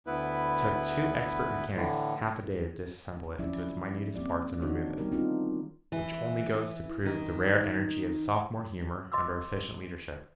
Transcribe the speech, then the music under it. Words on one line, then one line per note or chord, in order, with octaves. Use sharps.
It took two expert mechanics half a day to dissemble it into its minutest parts and remove it, which only goes to prove the rare energy of sophomore humor under efficient leadership.
D2 B3 E4 B4
A2 D3 E3
F3 F#3 C#4 E4 D5 E5
A#3 C4 G4 D5
D#3 E3 D4 D#4 F#4 C#5
G3 B3 D#4 G4 A#4
G3 C4 D4 D#4 F4
E3
D#3
D#5 C6 D6 E6